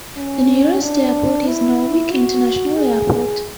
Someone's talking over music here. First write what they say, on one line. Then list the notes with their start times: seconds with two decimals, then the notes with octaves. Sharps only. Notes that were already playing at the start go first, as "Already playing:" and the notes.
The nearest airport is Norwich International Airport.
0.17 C#4
0.82 D4
1.47 E4
2.12 F#4
2.77 G#4